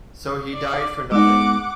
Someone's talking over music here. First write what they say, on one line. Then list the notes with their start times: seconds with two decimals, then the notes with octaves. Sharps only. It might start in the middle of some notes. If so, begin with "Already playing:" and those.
So he died for nothing.
0.54 D5
1.12 G#3 B3 D#4 F#5 D6